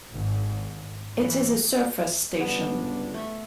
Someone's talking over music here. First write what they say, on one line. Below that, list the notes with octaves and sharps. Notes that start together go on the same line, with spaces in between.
It is a surface station.
G#1
E3
G1 C#2 B3 D4
A3 E5